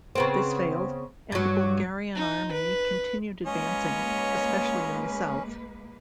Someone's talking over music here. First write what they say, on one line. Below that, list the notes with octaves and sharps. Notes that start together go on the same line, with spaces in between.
This failed and the Bulgarian army continued advancing, especially in the south.
C#3 B3 C4
G2 F#3
D#4
B4
G#3 A#3 C#4 F4 B4 C#5 D#5